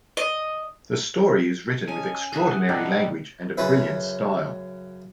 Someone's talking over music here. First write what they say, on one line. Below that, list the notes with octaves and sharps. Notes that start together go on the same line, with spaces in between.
The story is written with extraordinary language and a brilliant style.
D#5
C#4 D#5 G#5 A5
A3 G#4 E5 F#5
G2 B2 D4 D#4 A4 G5
F#2 C#3 C#4 F#4 B4 E5